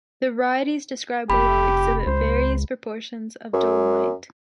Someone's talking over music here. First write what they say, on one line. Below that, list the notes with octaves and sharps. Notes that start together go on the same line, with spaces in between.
The varieties described below exhibit various proportions of dolomite.
F1 G4 B5
C#2 C5
F#2